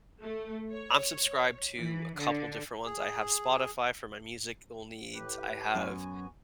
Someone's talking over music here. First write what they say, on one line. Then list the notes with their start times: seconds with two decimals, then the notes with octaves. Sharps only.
I'm subscribed to a couple different ones. I have Spotify, for my musical needs. I have
0.22 A3
0.71 C#5
1.75 E3
2.16 D3
2.86 G#4
5.13 A2 G4 B4
5.75 F#2 B3 F#4 G#5